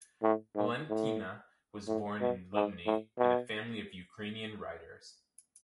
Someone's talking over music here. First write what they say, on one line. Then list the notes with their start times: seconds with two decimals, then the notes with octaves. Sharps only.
Valentyna was born in Lubny in family of Ukrainian writers.
0.23 A2
0.56 G#2
0.89 A2
1.87 A2
2.21 B2
2.54 G#2
2.86 A2
3.19 B2